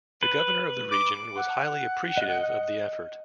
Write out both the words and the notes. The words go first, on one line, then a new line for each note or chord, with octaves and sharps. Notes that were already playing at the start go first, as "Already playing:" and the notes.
The governor of the region was highly appreciative of the effort.
B4
D6
F#5
D#5 F#6